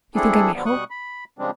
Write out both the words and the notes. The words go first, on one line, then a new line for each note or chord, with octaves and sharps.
You think I may hope?
C4 D4 E4 G#4 A4
D2 D3 F3 G3 B3
B2 G3 C#6 D#6 F#6
B5
C#3 F3 G3 G#3 C4 D4